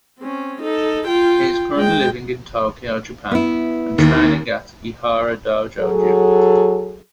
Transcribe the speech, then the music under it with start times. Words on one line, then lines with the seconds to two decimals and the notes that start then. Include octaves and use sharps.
He is currently living in Tokyo, Japan and training at Ihara Dojo Gym.
0.19 C4 C#4
0.61 D#4 A4
1.07 F4 G5
1.75 G#3 G5
3.31 B3 E4
3.98 D#2
5.79 F#3 G#4 A4